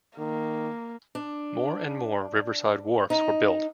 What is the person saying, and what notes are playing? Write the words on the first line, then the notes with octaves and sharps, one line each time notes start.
More and more riverside wharfs were built.
D#3 A#3
D4
D#4